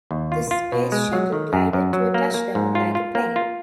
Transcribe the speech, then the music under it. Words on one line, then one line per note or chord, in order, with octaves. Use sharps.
The Space Shuttle glided to a touchdown like a plane.
D#2
F4
F4
B2
G#3
F#3
D#3
F#2
F#2
F#3
A#3
A#3
G#2
F4
F4
A#3
F4